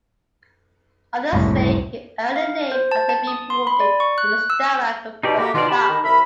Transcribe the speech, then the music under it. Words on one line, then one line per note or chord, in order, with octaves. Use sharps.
Others say he earned the name after being wounded in the stomach with buckshot.
F#1 C2 A2
F5
C5
A5
A5
D#6
C6
B5
D5
C#6
F#6
E6
B2 D#4 G4 D5
A3 A#3 F#4 G4 A#4
B2 D#3 F4 F#4 D5
G4 A5 B5
D#3 D#4
C2 A#4 E5 B5